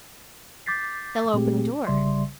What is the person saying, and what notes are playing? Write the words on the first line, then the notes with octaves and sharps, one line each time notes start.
"They'll open the door."
D6 G6 A6 B6 C7
A#2 G#3 A3 C4 G4 G#4
A#1 C#3 G3 D5 E5 C6